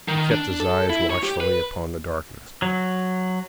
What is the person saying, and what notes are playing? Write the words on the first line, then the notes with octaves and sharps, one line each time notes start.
He kept his eyes watchfully upon the darkness.
D#3
D4
A4
E4
C#5
G4
B4
F#3